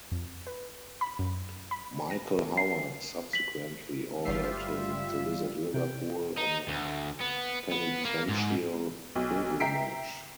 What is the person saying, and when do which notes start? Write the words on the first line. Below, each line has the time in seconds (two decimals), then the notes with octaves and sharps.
Michael Howard subsequently ordered him to visit Liverpool on a "penitential pilgrimage".
0.12 F2
0.47 B4
1.01 B5
1.19 F#2
1.71 B5
2.10 A#6
2.57 C7
3.33 B6 F#7
4.25 G1 G3 F4 E5 C7
5.74 C3 G5
6.37 D#4
6.68 D2
7.20 B3
7.71 B3
8.05 A#3
8.29 G#2
9.16 B1
9.60 E5 G5 A#5 B6 C7 D7